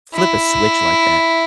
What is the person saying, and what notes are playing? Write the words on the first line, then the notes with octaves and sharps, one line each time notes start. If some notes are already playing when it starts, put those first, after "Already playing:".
flip a switch like that.
E4